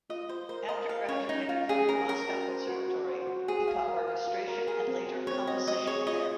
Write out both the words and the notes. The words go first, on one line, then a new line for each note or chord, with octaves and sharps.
After graduating from the Moscow Conservatory, he taught orchestration and later composition there.
F4 D#5
F4 C5
A#4 C5
A#4 D#5
A#4 F5
C#4 C#5
C#4 D#4
C#4 F4
C#4 G#4
C#4 A#4
C#4 A#4
F#4
C5
F#4
F#4
C5
F#4
F#4 G#4
G#4 F5
A#4
F5
F#4
A#4
G#4 A#4
C4
F#4
C4 C#5
F#4 D#5
C4 D#5
G#4 C#5
F4 D#5